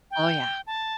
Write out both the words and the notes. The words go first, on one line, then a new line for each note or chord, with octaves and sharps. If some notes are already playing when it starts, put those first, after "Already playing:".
Oh, yeah.
G5
A5